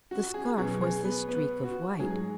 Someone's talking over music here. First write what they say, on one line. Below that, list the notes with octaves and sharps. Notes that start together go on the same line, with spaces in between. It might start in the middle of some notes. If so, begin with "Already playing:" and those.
The scarf was the streak of white.
F#4
G#4
B2 F#3 G#4
G#4
B3 B4
B3 B4
F#4
G#2 F#3 G#4